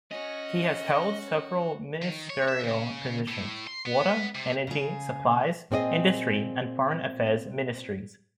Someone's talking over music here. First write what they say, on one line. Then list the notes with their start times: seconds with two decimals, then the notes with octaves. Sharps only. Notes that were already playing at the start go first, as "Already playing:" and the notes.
He has held several ministerial positions; water, energy, supplies, industry and foreign affairs ministries.
0.12 C#4 F#4 D#5
2.02 D#3
2.30 C#5
2.48 E5
2.64 C#3
3.27 A2
3.67 C6
3.86 B3
4.35 C3
4.67 C#3 G#4
5.71 A#2 C4 G#4 D5 D#5